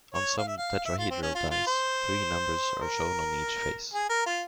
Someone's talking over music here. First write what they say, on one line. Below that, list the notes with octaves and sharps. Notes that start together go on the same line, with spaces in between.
On some tetrahedral dice, three numbers are shown on each face.
C#5
F5
E5
F5
E5
F4
C4
C#4
F4
F4
C5
A#4
G#4
A#4
F4